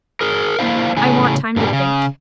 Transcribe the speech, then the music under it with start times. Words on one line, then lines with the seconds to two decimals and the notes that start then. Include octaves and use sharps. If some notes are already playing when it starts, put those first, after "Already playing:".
"I want time to think."
0.21 G#4 A#4
0.59 A#3 C4 D4 E4 C5 F5
0.97 A2 C#3 G#5
1.56 G2 A#2 C#3 G3
1.73 C#3